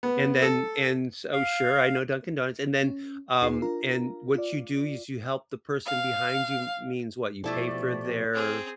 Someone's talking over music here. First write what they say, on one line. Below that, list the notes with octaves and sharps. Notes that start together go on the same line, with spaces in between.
and then and s Oh, sure, I know Dunkin' Donuts, and then um, and what you do is you help the person behind you, means what? You pay for their
B3
A4
F5
C#4
D#2 D#4 G#4 B4 C7
D4 F4 A#4 A#5
F4 D5
F5
B2 F3 A3 E4 G4 A4 D5
C4 G#4